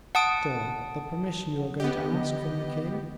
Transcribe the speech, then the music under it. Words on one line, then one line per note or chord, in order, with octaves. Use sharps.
"Still, the permission you are going to ask from the king?"
F#5 A5 D#6 D7
B3 G4 D#5
D3